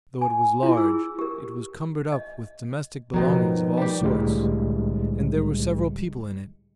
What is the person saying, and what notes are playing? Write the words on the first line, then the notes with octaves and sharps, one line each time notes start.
Though it was large, it was cumbered up with domestic belongings of all sorts, and there were several people in it.
G#5
E4 F4
G#4 E6
G4 A#4
D#5
B2 D#3 F3 F#3
G3 G4
C2 A2 D3 G3 G#3